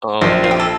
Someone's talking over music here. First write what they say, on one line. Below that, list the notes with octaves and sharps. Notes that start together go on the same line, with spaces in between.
Oh, no.
A#1 C5
F4
G4
A4